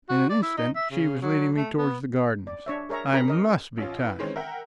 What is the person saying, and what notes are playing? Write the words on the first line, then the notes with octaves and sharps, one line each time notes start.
In an instant she was leading me towards the gardens. I MUST be tired.
F#4
D5
E4
D#4
E5
C#3
F#3
A3
B3
D5
D4 C#5 E5
G#4 A#4 C#5 E5 A#5
C#4 G4 A#4 A#5 B5
A#4 D#5
A1 C#4 F4
E4 B4
D#3 E3 G#3 C4 C#4
A#4 E5 F#5 G5